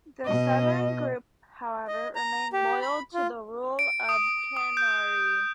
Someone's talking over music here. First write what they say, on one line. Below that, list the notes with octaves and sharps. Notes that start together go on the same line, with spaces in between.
The southern group, however, remained loyal to the rule of Cannanore.
B2 D#5
D#5
A#5
G4
B5
F4
D7
D#6
D#6
G6